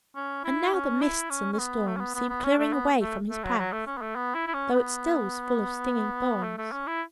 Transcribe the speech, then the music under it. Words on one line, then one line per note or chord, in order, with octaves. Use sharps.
And now the mists and the storms seemed clearing away from his path, though it still was full of stinging thorns.
C#4
E4
C#4
E4
C#4
C#4
B3
A3
C#4
B3
B3
B3
C#4
A3
B3
A3
A3
F#3
F#3
A3
C#4
B3
A3
B3
E4
E4
C#4
B3
A3
A3
C#4
E4